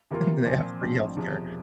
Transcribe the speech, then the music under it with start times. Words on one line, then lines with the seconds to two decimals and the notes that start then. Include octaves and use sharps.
They have free health care.
0.11 C3 E3 A#3 F4 A#4
0.46 A#2 F3 C4
0.81 A1 G2 F3 C4
1.16 E1 E2 C3 F3